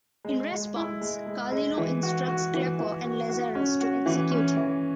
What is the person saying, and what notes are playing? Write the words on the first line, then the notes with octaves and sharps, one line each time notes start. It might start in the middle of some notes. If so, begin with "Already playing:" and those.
In response, Carlino instructs Klepper and Lazarus to execute him.
G#3
G#3
E4
G#3
G#3
G#3
E3
F#4
F#4
E3
E3
F#4
F#4
C#4
F#4
E3
C#4
E3